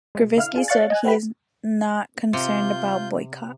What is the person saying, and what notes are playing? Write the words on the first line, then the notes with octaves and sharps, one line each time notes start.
Gruevski said that he is not concerned about boycott.
B2 G#3
D3 E4 F5 F6
D4 F4 G#4
C#5 D5 F5 C#6 F#6 A6
D#5 G#5 F#6
C4 E4 F#4 G4 B4 B5
C3 F4 G6